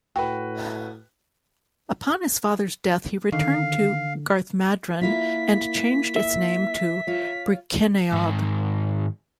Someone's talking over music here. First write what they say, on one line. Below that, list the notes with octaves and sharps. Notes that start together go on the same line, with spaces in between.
Upon his father's death, he returned to Garthmadrun and changed its name to Brycheiniog.
A2 F#4 B4 G5
D3 D#3 F5
A#3 E4 F4 B6
E5
F4 C#5
G#2 D#3